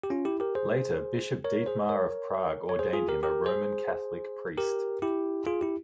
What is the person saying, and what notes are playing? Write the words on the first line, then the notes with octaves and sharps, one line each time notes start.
Later Bishop Dietmar of Prague ordained him a Roman Catholic priest.
G4
C#4 F4
E4 G4
G4 A#4
G#4 C5
A#4 C#5
G#4 C5
A#4 C#5
C#5
G#4 C5
F4 G#4
G4 A#4
G4 A#4
G#4 C5
G4 A#4
E4 G4
F4 G#4
E4 G4